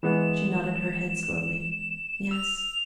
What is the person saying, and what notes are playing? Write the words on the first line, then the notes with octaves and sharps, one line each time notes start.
She nodded her head slowly: "Yes."
E3 G#3 B3 E7
E6 F7